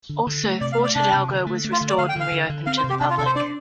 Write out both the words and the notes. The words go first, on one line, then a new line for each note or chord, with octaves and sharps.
Also, Fort Hidalgo was restored and reopened to the public.
D3
D3
A3
C3 D5
F5
A3
D5
C3 D4
C3
D3
A3
A3
F4
D3
D5
D3 F5
G5
D3 F5
D3
D3
C4 F5
C5
C3
G4
C3 D4
F4
C3 A4
C5
D4 D5